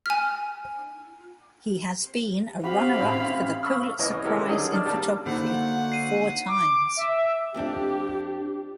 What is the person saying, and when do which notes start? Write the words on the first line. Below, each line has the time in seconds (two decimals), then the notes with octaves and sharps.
He has been a runner-up for the Pulitzer Prize in photography four times.
0.06 G#5 F6
2.64 C4 F#4 G4 F5 B5
3.00 A1
3.63 B5 C#6 E6 F6
3.99 C2 E3 C#5 D#5
4.24 G#3 C#4 E4 G4 A4 A#4
4.49 D3 D#3 F#3 G3 D#4 G#4
4.72 D4 A5 F6
4.86 G3 A#3 A5
5.26 D3 A#3 D#4 F#4 C5 F#5
5.92 C7 D#7
6.48 D6
6.97 E5
7.54 F2 C4 D4 G4